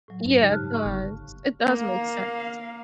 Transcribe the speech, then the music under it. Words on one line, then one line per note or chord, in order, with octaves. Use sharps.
Yeah, it does. It does make sense.
A2 F#3
G2
C#3 D#4 G4
G#2 A5 F6 F#6
F5 C#6
G1
A#3 F5